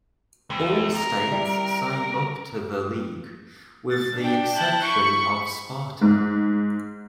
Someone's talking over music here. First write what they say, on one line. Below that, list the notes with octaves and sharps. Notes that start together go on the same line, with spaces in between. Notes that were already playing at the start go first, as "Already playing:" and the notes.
All states signed up to the league, with the exception of Sparta.
E2 C4
A#4
G3 E4
A6
D4 G5
E4 A5 F#6 G6
B5 C#6
G#2